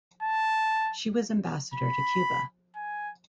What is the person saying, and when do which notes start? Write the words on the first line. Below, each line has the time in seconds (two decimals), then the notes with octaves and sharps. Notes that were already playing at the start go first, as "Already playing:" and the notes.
She was ambassador to Cuba.
0.23 A5
1.74 B5
2.76 G#5